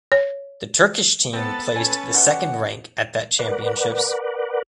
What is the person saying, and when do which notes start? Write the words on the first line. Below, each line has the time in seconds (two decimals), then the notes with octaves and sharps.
The Turkish team placed the second rank at that championships.
0.12 C#5
1.33 B3 C4 A4 B4 A6
1.76 C#4 G#5
2.14 B2 D#4 G4 F#5
3.39 A#4 B4 D5 F#5